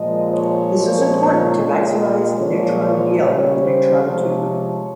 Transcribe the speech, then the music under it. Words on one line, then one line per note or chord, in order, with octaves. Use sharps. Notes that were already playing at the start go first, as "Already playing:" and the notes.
This is important to maximize the neutron yield of the neutron tube.
Already playing: A#2 F3 G#3 D#5
C#5
A#2 F3 G#3
A#2 G#3
A#2 F3 G#3 C#5
C#3 G3 C#5
C5
C3 F3 G#3 C#5